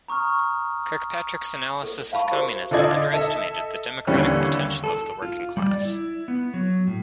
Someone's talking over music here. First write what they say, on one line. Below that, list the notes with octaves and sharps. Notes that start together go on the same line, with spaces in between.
Kirkpatrick's analysis of communism underestimated the democratic potential of the working class.
A#5 C#6 D#6 F6
A4
E5 F5 A5 B5 C#6
F#4 G4 A4 A#4 C5 C#6
D3 F4 A4 D5 D#5 G#6
A4 D#5 E5
D#2 D3 E3 G3 C#4
A4
F4
G3
D5
E4
B3
F#3
A2